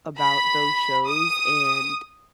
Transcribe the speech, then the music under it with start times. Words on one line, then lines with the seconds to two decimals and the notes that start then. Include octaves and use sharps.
about those shows, and
0.19 B5
1.08 D#6